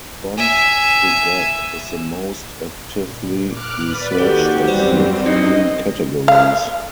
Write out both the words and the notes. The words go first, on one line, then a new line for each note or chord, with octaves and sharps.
Front-to-Back is the most actively researched of the three categories.
E5 G#5
A#2
D6 F6 F#6
B4 D5
D#2 D#3 F#4 G4 A4
F#2 G3 C4 B4 C5
D4 D#4 D#5
F5